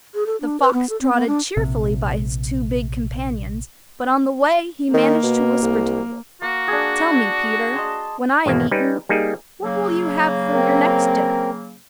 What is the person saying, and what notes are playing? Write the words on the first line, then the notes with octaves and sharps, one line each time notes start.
The fox trotted cheerfully by his two big companions, but on the way he managed to whisper to the wolf: 'Tell me, Peter, when I am eaten, what will you have for your next dinner?'
G#4
A4
D4
B4
B3
A4
C4
B3
D4
A#1 C3
D#3 A#3
B2
C2
A#3 F#4
D4 G#4
D#5 A5 C6
G#1 E2 B2 A#3
G3 C#4 D#4 B4
G3 A#3 D#4 G#4
C#3 F#3 A#3
C4 A#4